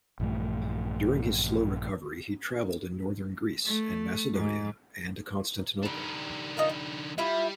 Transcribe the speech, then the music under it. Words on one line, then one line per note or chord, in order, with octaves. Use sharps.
During his slow recovery he travelled in northern Greece, and Macedonia, and to Constantinople.
A#1 G2 E3 A3
A3
G#2
D#3 G3 D4 A#5
D#4 F4 A#4
G3
G3 E4 F4 E5